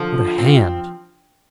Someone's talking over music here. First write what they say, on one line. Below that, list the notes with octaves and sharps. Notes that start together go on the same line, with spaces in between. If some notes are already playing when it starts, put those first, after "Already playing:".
What a hand!
Already playing: D3 F3
C4